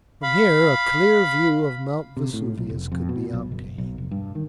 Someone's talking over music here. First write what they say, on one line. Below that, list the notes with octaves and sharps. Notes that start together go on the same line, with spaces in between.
From here a clear view of Mt. Vesuvius could be obtained.
F5 B5
C3
A2
B1
F1
F2
B2
B1
F#1
B1
F1
G2
D#3